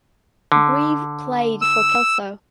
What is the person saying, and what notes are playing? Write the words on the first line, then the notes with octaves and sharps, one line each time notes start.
Grieve played for Kelso.
D3
E6